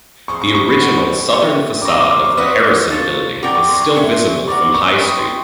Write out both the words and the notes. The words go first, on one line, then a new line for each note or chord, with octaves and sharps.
The original southern facade of the Harrison Building is still visible from High Street.
G#4 C5 F5 C#6
C#6
C#6
B5
D#4 F#4 A4
C#5 E5 G5
D6
D5 F5 A#5 C#6
C#6
C6
C#6
F#4 B4 D#5 F#5
F4 A4 C#5
F#4 A#4 D5 G5 D6
C#6
C6
C#6
C#5 E5 G#5 C6 C#6
F#4 A#4 D5 C#6
C#6
B4 D#5 G5 C#6
C6